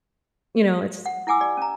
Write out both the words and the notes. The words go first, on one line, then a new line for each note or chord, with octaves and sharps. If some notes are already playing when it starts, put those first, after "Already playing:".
You know, it's
F#5
E4 F#5 G#5 D6 E6
G4 D5
C#4 A#5